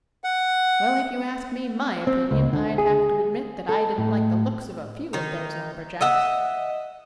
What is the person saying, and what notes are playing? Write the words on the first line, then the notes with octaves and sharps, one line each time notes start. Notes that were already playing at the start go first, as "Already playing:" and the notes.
"Well, if you asked me my opinion, I'd have to admit that I didn't like the looks of a few of those lumberjacks."
F#5
C4
C#2
D3
G#4
A4
A2
D#3 D#4
D#5 E5 F#5